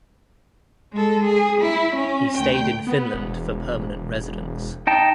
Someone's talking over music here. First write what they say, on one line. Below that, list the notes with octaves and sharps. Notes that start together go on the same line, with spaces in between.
He stayed in Finland for permanent residence.
G#3 A4
G#4
E4
C#4
D2 G5
B3
E1
D#4 G5 A5